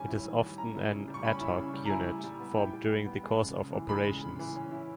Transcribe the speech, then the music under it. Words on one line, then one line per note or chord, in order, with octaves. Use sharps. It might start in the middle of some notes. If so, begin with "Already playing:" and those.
It is often an "ad hoc" unit, formed during the course of operations.
Already playing: D#3 G3 C#4 G#5
E4
D#3
G3
C#4 A#5
E4
C#3
G3
C#6
C#4 B5
E4
C#3
G3
A#5
E4 G#5
G3
G3
B3
E4 G5
G3
G3
B3
G#3
C#3
C#3
E3
G#3 B5
C#3
C#3
E3
C#4
E4